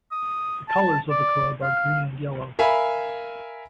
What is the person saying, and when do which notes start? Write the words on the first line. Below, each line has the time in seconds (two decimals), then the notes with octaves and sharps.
The colours of the club are green and yellow.
0.12 D#6
0.68 A5
1.10 D5
1.63 F5
2.59 A#4 E5 F5 G#5 B5